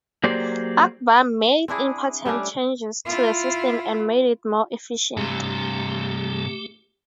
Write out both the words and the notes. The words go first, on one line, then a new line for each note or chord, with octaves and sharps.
Akbar made important changes to the system and made it more efficient.
F#3 A#3 G4 G#4 C5 D5
C4 D4 E4 G#4
G3 A3 C#4 D4
E4 F4
G2 C3 A3 G4